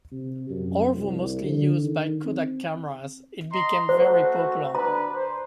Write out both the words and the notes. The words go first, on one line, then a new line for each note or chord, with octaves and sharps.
Although mostly used by Kodak cameras, it became very popular.
C3
F#2
C2
D3
D#3
C4
D#5 A#5 C6
A3 F#4 C5
D4 B4 A#5
C5